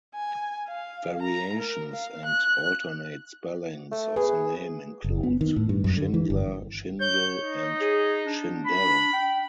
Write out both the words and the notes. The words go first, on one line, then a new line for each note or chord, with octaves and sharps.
Variations and alternate spellings of the name include: Shindler, Schindel, and Schindelle.
G#5
F5
A#5
A#4
F5
F#6
A3
G#4 B4
F#1
B3
D#3
A2
G2
F#2
D3
E3
G1
C#5 G6
D#4
G#4
D4
B5
G5